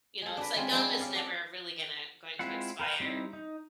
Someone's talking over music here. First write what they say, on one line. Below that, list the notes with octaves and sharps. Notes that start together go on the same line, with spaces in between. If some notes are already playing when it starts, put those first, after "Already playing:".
you know, it's like gum is never really gonna going to expire,
G#3 A4
D4 F#4 B4
G#3 C4 C#4 F4
F3 G#3 C4 D4 E4 F#4
C#4 A4 D5 F5
A4 D5 F#5
G#3 C4 E4 F4 F#5
A#4 B4 F5 G5
G3 C4 D#4 E4
D#4